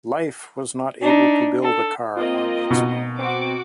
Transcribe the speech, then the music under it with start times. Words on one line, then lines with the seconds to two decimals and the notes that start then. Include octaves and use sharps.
Life was not able to build a car on its own.
1.02 D4 D#4
1.63 A4
2.16 A#3 C4 F4 D#5
2.70 B2 D#4
3.19 C4 F#4 D6